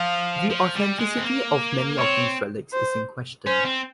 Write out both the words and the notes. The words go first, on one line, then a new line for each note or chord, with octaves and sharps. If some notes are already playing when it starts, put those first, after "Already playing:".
The authenticity of many of these relics is in question.
Already playing: F3 F5
F3
G3
G#3
C4
A#3
C4 C#5
C5
C#4 C5
C4